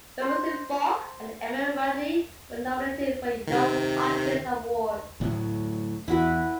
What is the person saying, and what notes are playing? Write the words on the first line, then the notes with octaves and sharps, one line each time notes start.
Fairuza Balk and Emma Ridley were nominated for Young Artist Awards.
C5
C3 D#3
D2 A2 F#3
E2 E4 F#4 B4